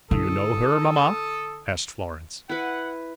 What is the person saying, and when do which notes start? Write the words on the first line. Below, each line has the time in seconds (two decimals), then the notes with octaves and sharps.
"Do you know her, mamma?" asked Florence.
0.11 D3 E4 A4 D#6
2.49 E4 B4 F#5